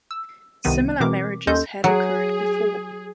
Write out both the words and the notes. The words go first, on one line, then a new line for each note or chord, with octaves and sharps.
Similar marriages had occurred before.
E6
C2 C3 D#3 B3 D#7
B2 E3 C4 A#4 D6
D#2 C#4 A4 D#5 C6 G6
F#3 G#4